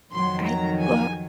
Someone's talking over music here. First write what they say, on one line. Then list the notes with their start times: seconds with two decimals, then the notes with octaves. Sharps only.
I uh,
0.14 F2 D#3 F#3 C6
0.47 A#5
0.81 G#5